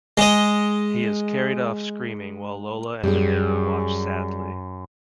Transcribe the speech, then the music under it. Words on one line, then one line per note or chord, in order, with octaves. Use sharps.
He is carried off screaming while Lola and the neighbor watch sadly.
G#3 D#5
F#2 G3 G#4